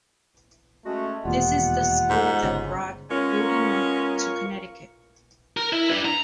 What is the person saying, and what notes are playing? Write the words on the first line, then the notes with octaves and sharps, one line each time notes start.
This is the school that brought Boudinot to Connecticut.
G#3 A3 C#4 F#4
E1 D#2 A#2 G3 B3 F4 F#5
G#2
G1 C#3 C#4
G#3 B3 C#4 F4 A#4 C#6
A#4 A#5
E4
D4 B4
A#5